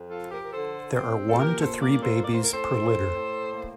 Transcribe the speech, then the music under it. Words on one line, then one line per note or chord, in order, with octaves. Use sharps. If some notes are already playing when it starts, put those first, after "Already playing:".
There are one to three babies per litter.
Already playing: F2
F3 F4 A4
G4 A#4
A#4
D3 A4 C5
C4
A4
A#2 G4 A#4
A4 C5
A#3 A#4 D5
A4 C5
A2 D5
C5
A#4
A4 C5
C4
A2
A#3